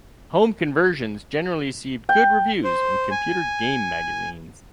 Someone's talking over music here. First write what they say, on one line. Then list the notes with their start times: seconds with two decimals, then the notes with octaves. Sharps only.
Home conversions generally received good reviews in computer game magazines.
2.09 G5
2.64 C5
3.11 G#5